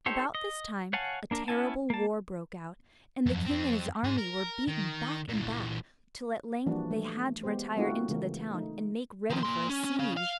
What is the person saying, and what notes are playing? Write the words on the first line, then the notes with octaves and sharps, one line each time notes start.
About this time a terrible war broke out, and the king and his army were beaten back and back, till at length they had to retire into the town, and make ready for a siege.
D#4 G4 A4 C5 C#5
D#5
C#5 F5 F#5 G#5 A5
A#3 D4 A#4
B3 C#4 E4 G#5 A5
A#3 A5
F2 F#3
F2 C4
G#2 G#4
A#4
D#3
A#2 E3
E3 F3 G3 A#3 D4 F#4
A3
G#3 B3 G4 C5
G3 A3 C4 D#4 F4 F#4
C#3 E3 G#3 A3 A#4
A3 D#4
D#3 F3
A#3 C6
C#4
C#4
C#4 F5
F5